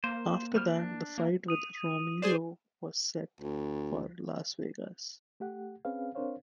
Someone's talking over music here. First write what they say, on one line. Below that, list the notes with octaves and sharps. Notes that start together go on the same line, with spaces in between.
After that, the fight with Romero was set for Las Vegas.
A#3 C5
G3 C5 F6
D4
A#3
D#6 D#7 F7
G#4 C5 D5 C7 E7
D2
A3 G4 F#5
C4 C#4 G#4 B4 F5
C4 D4 A#4 C5 C#5 F5